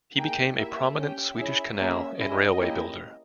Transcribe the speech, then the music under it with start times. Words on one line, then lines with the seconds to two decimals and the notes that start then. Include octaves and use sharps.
He became a prominent Swedish canal and railway builder.
0.16 A#3 D#4 G#4 G5
0.56 A#3 E4 G4 E5
0.97 C#4 G4 G5
1.37 C#4 E4 G#4 E5
1.78 A#3 C#4 G#4
2.17 C#4 E4 G#4 D#5
2.59 A#3 C#4 E4 G4